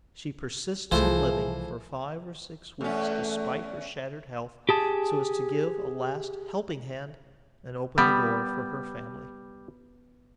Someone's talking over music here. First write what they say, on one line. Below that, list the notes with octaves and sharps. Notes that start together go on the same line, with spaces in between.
She persists in living for five or six weeks, despite her shattered health, so as to give a last helping hand and open the door for her family.
C2 E3 F3 A3 G#4 C5
E2 A3 C#4
G4 G#4 A5
G3 B3